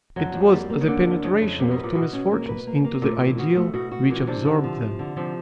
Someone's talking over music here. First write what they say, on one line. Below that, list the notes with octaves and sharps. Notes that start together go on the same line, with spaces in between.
It was the penetration of two misfortunes into the ideal which absorbed them.
F2 F#3
F2
G3 A#3
A#3
C#3
D3 A#3
F2
F2 C#3
F2
C3 A#3
B2
B4
A#2
B2 F#4
C#4
A#3
B4
A#3
A#3
A#2 A3
E3
B2 F#4
A3
B2 F#4
F#4
A#2 E3
C3 D4
D3
F3
F3
D3
C3 F3